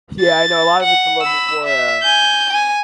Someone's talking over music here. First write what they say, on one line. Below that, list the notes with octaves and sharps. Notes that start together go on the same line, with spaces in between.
Yeah, I know, a lot of it's a little bit more, uh
A6
F#5
B5 E6
E5
G#5 G6
G#5